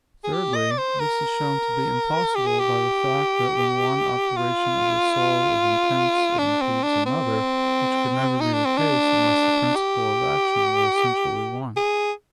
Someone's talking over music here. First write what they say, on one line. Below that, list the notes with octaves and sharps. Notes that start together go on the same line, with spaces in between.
Thirdly, this is shown to be impossible by the fact that when one operation of the soul is intense it impedes another, which could never be the case unless the principle of action were essentially one.
G#4
G4
D#5
D5
C5
A#4
G4
G#4
G4
F4
D4
C4
D4
C4
D#4
D4
C4
D4
G4
G#4